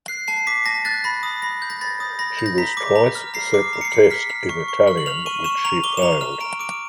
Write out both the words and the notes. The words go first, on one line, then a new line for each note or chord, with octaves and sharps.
She was twice set the test in Italian, which she failed.
F#6 C7
A5 C7
D6 B6
A5 A#6
F#6 A6
B5 A#6
D#6
B5 A#6
G6
A#6
B5 A6
D#6
B5 A#6
G6
A#6
A#5 B6
D6
A#5
F6
A#5 C7
D6
A#5
C#7
C7
F6
F6 B6
F6
C#6
C#6
F6
F#7
F6 F7
C#6 D#7
C#6 E7
A#5 F7
D6 G7
E7
A#5 F7
F6 E7
A#5 D7
D6 D7